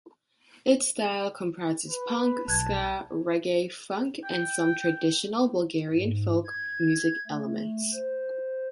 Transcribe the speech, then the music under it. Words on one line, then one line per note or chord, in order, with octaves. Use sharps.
Its style comprises punk, ska, reggae, funk and some traditional Bulgarian folk music elements.
B4
B1 A5 F#6 G#6
G5
G#2
G#6
A3
C5